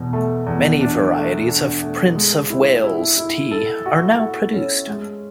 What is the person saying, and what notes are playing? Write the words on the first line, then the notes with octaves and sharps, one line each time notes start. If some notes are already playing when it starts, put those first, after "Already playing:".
Many varieties of Prince of Wales tea are now produced.
Already playing: E2 B2
A3
E2
D4
A3
D4
A3
G#3
E4
E4
E4
A4
F#4
F#4
C#4
G#3